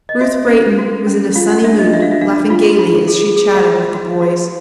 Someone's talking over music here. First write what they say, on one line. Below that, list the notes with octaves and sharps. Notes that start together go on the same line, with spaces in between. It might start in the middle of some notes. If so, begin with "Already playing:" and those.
Ruth Brayton was in a sunny mood, laughing gayly as she chatted with the boys.
D#5
F#4 E5
C#4
F#4
C#4
F4 F5
F#5
D4 E5
D#5
D4 E5
F5
E5
D4 F5
F4 F5
F4
G#4
G#4
F5
F#4 E5
F#4
F#4